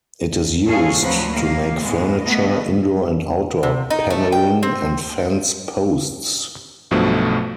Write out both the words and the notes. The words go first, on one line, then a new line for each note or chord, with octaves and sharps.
It is used to make furniture, indoor and outdoor panelling, and fence posts.
G#2 G#3 G#4 A4 C#5 F5
D2 F3 F#3 C4 B4
D#3 A#3 F5
A2 G#3 B3
A3 B3 D#5
C3
D#4
A3
G5
C4
B1 G2 B2 F3 A3